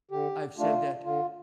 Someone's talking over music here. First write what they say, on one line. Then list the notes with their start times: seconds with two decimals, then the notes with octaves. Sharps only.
I've said that,
0.11 D3 G4
0.58 A3 D4 F4
1.04 D3 F4